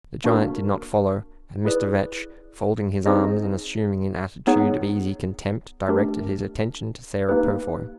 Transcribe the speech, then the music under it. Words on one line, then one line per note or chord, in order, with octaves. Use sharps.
The giant did not follow; and Mr. Vetch, folding his arms, and assuming an attitude of easy contempt, directed his attention to Sarah Purfoy.
A#3 D4 F#4 A#4
E4 G#4 B4 D5
C4 D#4 G#4 C5 D#5
B3 D#4 G#4 C#5 F#5
A3 D4 G4 A#4
A#3 D#4 G4 B4